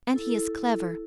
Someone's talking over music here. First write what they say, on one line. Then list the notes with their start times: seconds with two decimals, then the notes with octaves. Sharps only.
And he is clever.
0.14 E4 A4